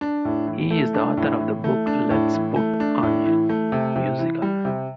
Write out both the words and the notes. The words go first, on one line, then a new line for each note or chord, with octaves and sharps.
He is the author of the books Let's Put on a Musical!
D4
A2
E3
A3
D4
A2
E3
A3
D4
A2
E3
A3
D4
A2
E3
A3
C3
C3
E3
G3
C3